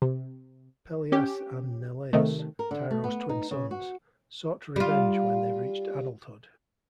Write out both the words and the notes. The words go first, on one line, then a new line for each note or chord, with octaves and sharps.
Pelias and Neleus, Tyro's twin sons, sought revenge when they reached adulthood.
C3
C#4 G4
C3 D#3 A3
A#4
D3
A3
B3
D#4
C#3
F#4
G3 F4